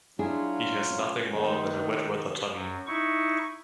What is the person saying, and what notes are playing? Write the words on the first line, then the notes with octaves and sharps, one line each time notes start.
He has nothing more than a wet weather tummy.
F#3 D4 E4 F4 G#4
C#4
C3 D#3 A3
F#2
D#4 E4 C#6